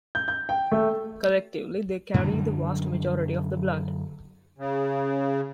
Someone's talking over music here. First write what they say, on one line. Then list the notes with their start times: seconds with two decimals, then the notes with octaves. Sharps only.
Collectively, they carry the vast majority of the blood.
0.15 G6
0.28 G6
0.49 G5
0.72 A3
2.14 F#2 D3 F#3 G3
4.58 C#3